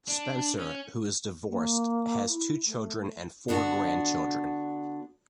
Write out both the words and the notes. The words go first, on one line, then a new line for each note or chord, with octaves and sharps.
Spencer, who is divorced, has two children and four grandchildren.
D4
C#4
A#3
E4
A3
D3 B3 D4 F#4